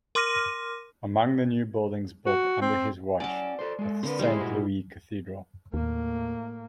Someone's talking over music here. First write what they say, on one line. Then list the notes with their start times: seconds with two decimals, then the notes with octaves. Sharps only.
Among the new buildings built under his watch was the Saint Louis Cathedral.
0.15 A#4 C6 D6 F6 A#6 D#7
2.26 F#4
2.61 C4
3.20 C#4 D5 F#5 G#5 A5
3.59 A4 C5
3.79 G#3 A4
4.03 D3 C4 A#4 B4
4.19 F2 G3 G#3 E4 C5
4.40 A#2 F#4
5.74 D#2 A2 A#3